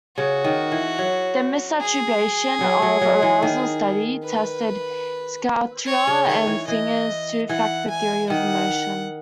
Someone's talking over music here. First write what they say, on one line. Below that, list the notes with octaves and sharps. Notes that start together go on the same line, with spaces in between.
The misattribution of arousal study tested Schachter and Singer's two-factor theory of emotion.
C#3 F#4
D#3
E3
F#3
G#4
F#3
F#3
F#3
E3
D#3
B4
C#5
C#3
D#3 C#5
E3
E3 D#5
E3 F#5
G#5
D#3 F#5